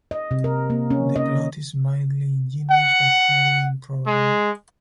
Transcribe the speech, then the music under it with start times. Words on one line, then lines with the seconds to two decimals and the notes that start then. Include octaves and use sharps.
The plot is mildly ingenious but highly improbable.
0.11 D#5
0.31 C3
0.44 A#4
0.70 A#3
0.90 C#4
1.16 D#5
2.71 F#5
4.07 G#3